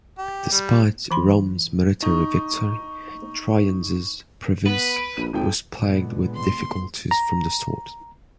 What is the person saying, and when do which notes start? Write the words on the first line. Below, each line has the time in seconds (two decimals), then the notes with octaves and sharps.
Despite Rome's military victory, Trajan's province was plagued with difficulties from the start.
0.19 G4
0.52 G3
1.11 E3 B5 C6
2.02 D#4 C#6
4.66 B3 B4
4.96 D7
5.17 A#1 D#7
5.33 D#1 G#1 F3 G5
5.79 A#2 D3 G#3 B3
6.35 C6
7.11 A#5